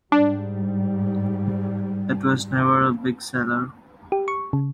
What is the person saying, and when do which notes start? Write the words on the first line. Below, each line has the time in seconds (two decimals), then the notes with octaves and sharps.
It was never a big seller.
0.12 G#2 G3 D4
4.12 G4
4.28 C#6
4.53 C#3